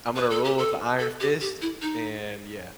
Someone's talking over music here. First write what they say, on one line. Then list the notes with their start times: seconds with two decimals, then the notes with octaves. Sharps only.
I'm gonna rule with a iron fist, and yeah,
0.16 B4
0.30 A4
0.44 G4
0.58 A4
0.99 A4
1.20 G4
1.41 G4
1.62 E4
1.82 D#4